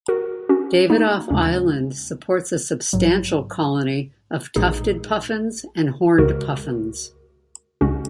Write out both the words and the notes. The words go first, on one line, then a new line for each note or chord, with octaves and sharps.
Davidof Island supports a substantial colony of Tufted Puffins and Horned Puffins.
F#4 A#4
C#4 F#4
A#3 D#4
D#2 C#3 G#3 C#4
A#1 G#2 F#3
A#1 A#2 G#3 D#4 G#4
C#2 C#3 G#3 F#4 A#4
C#2 C#3 G#3 C#4 F#4